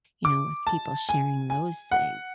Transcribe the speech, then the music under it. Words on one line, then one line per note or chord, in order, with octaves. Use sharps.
you know, with people sharing those things.
D6
A5
G#5
G#5
F#5